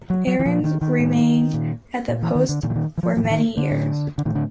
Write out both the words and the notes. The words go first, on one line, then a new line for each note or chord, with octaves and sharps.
Aarons remained at the "Post" for many years.
F#3
F#3
E3
A#2 F3
D#3
D#3
A2
A#2
A#2
E3
D#3
D3
A#2 D#3
E3
D#3
E3
F3
A2 F3
E3
D#3
D3
A2
D3
A2 D#3
D3